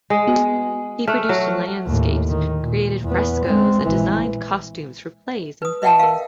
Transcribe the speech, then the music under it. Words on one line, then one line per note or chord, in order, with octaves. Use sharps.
He produced landscapes, created frescoes and designed costumes for plays and films.
G#3
B3 F#4
A3 F6 F#6
F#3
D#2 A2
D#3
A#2
E2 B3
G#3 C4
A#1 E3
B4 D#6
B4 D#5 E5 F#5 G5 A5
A#4 F5